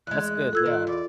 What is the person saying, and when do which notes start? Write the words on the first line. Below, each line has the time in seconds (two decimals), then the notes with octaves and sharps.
That's good, yeah.
0.07 E2 G#3 F#6
0.53 F4 A4 E6 G#6
0.66 D#3
0.87 E2 D5